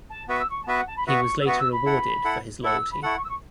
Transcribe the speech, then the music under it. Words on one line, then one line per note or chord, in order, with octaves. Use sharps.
He was later rewarded for his loyalty.
A5
B3 F#4 B4 E5 C#6
E6
C#6
A5
B3 F#4 B4 E5 B5
F#5
A5
B5
B3 F#4 B4 E5 C#6
E6
B3 F#4 B4 E5 C#6
E6
B5
E4 A4 F#5
E4 A4 F#5
E4 A4 F#5 E6
B5
E4 A4 F#5 C#6
C#6
E6
C#6